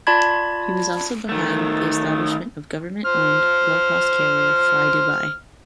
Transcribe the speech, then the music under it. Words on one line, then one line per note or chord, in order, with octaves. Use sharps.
He was also behind the establishment of government-owned low cost carrier FlyDubai.
F4 D5 A5 B5 G#6
D#3 A3
C5 F6